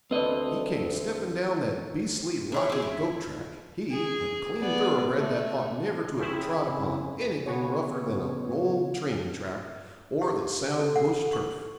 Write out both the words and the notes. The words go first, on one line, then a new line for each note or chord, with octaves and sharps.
He came stepping down that beastly rocky goat-track, he, a clean thoroughbred that ought never to have trod upon anything rougher than a rolled training track, or the sound bush turf.
D2 C4 B4 D5 D#5
D4 E4 C#5
C4 G#4
E4
G#4
B3 D5
A3
C#3 C4 C#4 E4 G#4
C#3 B3 C#5
G4
A4
F#5
C#6